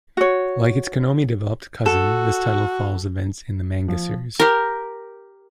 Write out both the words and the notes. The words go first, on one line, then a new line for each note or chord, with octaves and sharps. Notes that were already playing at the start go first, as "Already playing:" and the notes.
Like its Konami developed cousin, this title follows events in the Manga series.
F#4 C#5
F#4 A4
F3
G4 A#4